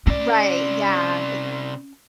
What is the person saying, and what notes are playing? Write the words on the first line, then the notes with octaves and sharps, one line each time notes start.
r right, yeah i
C3 C#4 D5